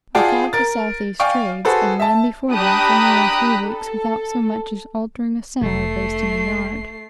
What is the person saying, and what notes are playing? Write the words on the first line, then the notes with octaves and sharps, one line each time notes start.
We caught the south-east trades, and run before them for nearly three weeks, without so much as altering a sail or bracing a yard.
F4 G#4 D5 F#5 G5 A5
A#4 A6
D5 F5 G5 G#5 C#6
F#4 G#4 A4 B4 C5
E5 A5
D4 G4 A#5 B5 D#6 F#6
A4
F1 A3 C7